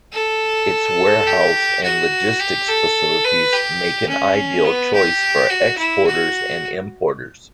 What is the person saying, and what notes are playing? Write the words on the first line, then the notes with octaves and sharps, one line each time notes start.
Its warehouse and logistics facilities make an ideal choice for exporters and importers.
A4
G4
F#4
G4
A4
B4
G4
C#4
B3
G4
F#4
E4
F#4